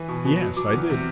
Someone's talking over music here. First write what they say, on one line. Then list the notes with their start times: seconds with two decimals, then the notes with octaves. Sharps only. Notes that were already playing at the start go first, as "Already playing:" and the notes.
"Yes, I did."
Already playing: E3
0.08 B2
0.25 B2
0.41 F#3
0.56 F#3 D6
0.73 E2
0.90 C3